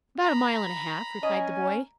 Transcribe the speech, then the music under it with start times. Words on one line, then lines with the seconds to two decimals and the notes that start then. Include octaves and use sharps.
"About a mile and a half," replied the boy.
0.23 A#5 B5
1.23 C#4 D#5 G#5